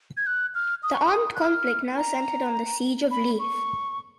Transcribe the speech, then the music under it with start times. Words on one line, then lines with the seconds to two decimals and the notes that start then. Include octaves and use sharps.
The armed conflict now centered on the Siege of Leith.
0.17 G#6
0.27 F#6
0.55 F6
0.83 D#6
0.94 C#6
1.05 D#6
1.35 F#6
1.40 F6
1.97 A#5
3.11 B5
3.39 C#6